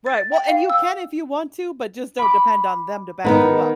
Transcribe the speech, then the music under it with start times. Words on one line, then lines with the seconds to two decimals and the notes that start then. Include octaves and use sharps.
Right. Well, and you can if you want to, but just don't depend on them to back you up,
0.06 A6
0.32 G5
0.48 F5
0.70 E6
2.19 B5 D6
3.24 D#3 B3 D#4 B4